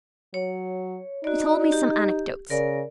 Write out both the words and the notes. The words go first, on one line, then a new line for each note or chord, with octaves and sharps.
He told me some anecdotes.
F#3 C#5
D#4 F#4 D5
G4
C#3 A#4 D5